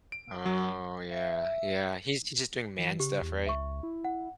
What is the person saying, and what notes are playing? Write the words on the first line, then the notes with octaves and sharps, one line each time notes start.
Oh, yeah. Yeah, he's he's just doing man stuff, right?
D7
F#3
E5
E3
C#3 G4
E2
C#2 E5 C#6
E4
F#5